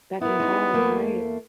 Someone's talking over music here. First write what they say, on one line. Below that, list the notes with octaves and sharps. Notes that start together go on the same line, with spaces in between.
Beck and call, right.
B3 E4 A#4
G#3 C#4 D#4
E2 A3 A#3